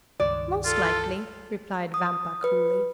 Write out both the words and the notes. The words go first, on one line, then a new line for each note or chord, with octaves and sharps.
"Most likely," replied Vampa coolly.
C#2 G2 D#3 D5
F4 A4
D#6
B4